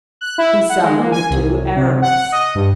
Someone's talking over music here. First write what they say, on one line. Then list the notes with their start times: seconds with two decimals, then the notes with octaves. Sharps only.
He summoned the two Arabs.
0.21 F#6
0.38 E4
0.69 F#5
0.83 G#3
0.99 A#3
1.12 G#5
1.30 C2
1.76 C3
2.02 F#5
2.32 D#5
2.55 G2